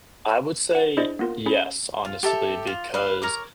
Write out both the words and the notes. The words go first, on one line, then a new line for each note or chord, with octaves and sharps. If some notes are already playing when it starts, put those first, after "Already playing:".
I would say yes, honestly, because
B4 F#5
D4 E4 G#4 C5 D5 D#5
A#3 B3 F4 A#4 C6
C#4 G#4 B5
F4
G4 A4 E5
F4
B4 F5
A#4 C#5 D6